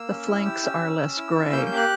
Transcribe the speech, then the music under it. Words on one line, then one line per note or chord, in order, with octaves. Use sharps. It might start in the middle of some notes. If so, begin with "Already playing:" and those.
The flanks are less grey.
Already playing: A#3 E6
C#4
E4
G4
C#4
C#4
C#4
E4
C#4
A#3 G6
G4 G6
F#6